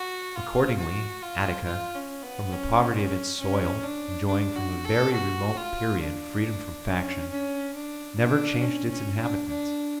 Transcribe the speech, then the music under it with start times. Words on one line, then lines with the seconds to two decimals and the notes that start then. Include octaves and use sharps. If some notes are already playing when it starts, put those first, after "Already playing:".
Accordingly Attica, from the poverty of its soil enjoying from a very remote period freedom from faction, never changed its inhabitants.
Already playing: F#4
0.35 F4
0.78 F#4
1.22 F4
1.66 F4
1.95 C#4
2.23 B3
2.52 C#4
2.96 C#4
3.40 C#4
3.83 D4
4.27 D4
4.55 F#4
4.85 A4
5.13 F#4
5.57 F4
6.01 D4
6.88 C#4
7.31 C#4
7.74 D4
8.18 D4
8.61 C#4
8.90 C#4
9.19 D4
9.48 D4